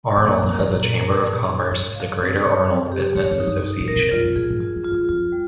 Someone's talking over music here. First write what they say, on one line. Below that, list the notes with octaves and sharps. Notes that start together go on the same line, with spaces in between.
Arnold has a chamber of commerce, the Greater Arnold Business Association.
C3
A#2 A#3
F2
A#4
G2
A#2 A#3
A#4
A#2 G#4
D#4
G#2 C#5
F5
G#2 C4
C#5
C4
G4
G2 C#5
F2
D#4
G2
D#4
A#2
A#4
C3
C3 F4
C3
A#2 G#4
G#2
G2 F4
G2
F4
G2
F2 F4
G3